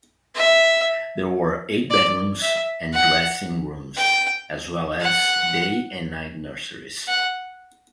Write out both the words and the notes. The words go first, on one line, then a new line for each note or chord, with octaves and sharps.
There were eight bedrooms and dressing rooms as well as day and night nurseries.
E5
D5
E5
F#5
G5
F#5
F#5